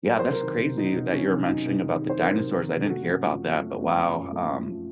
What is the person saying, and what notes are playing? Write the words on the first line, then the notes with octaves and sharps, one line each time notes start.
yeah, that's crazy that you're mentioning about the dinosaurs, I didn't hear about that, but wow, um,
F#3 A#4
C3 C5
A#4
D#3
C3
F#3 D#4
C3
D#3 C#4
C3
F#3 D#4
C3
D#3
C3
C5
F#3 A#4
C3
D#3
C3
A4
A3 F#4
F#2
F3
F#2
A3
F#2
F3
F#2
A3
F#2
F3